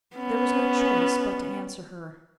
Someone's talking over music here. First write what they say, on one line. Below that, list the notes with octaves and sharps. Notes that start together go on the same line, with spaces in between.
There was no choice but to answer her.
B3 C#4